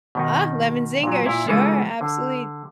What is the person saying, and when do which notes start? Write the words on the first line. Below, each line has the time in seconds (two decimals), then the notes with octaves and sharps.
Ah, lemon zinger, sure, absolutely.
0.15 B2 D#3 D#4
1.03 A#2 F#3
1.26 A#2 E4 F5
1.47 C#3 E3 G#3 D4 F4 A4
2.01 D3